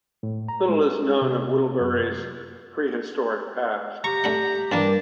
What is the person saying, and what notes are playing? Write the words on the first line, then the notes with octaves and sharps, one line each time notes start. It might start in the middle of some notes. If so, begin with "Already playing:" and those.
Little is known of Whittlebury's pre-historic past.
A2
A#5
G#3
C3
F#2
G4 A#5 C#6
A3 D4 F#5
G2 E3 G3 A#3 D4 A#4